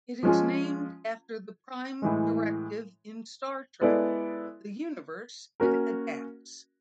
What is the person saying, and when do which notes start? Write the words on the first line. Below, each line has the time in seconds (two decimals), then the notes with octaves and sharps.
It is named after the Prime Directive in Star Trek, the universe it adapts.
0.23 F3 G#3 C#4 F4 G#4
2.02 A2 E3 G#3
3.81 G#3 B3 E4 A4 D5
5.60 A#3 C#4 F#4 A#4